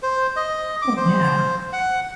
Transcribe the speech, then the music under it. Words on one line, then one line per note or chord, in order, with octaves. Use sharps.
Oh, yeah.
C5
D#5
D6
C5
F#5